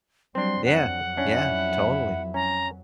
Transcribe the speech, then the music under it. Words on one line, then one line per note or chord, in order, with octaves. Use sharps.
Yeah, yeah, totally.
F#3 G3 C4 D4 C6
F2 F#3 F#5
C#4 D4 E4
C#4 A#5